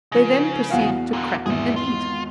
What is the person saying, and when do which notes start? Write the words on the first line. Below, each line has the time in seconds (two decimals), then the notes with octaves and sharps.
They then proceeded to crack and eat.
0.12 C#3 F3 A#6
0.70 E2 F#4 F5
1.13 A#2 D3
1.46 G#1 E2 G#4 E5
1.76 F4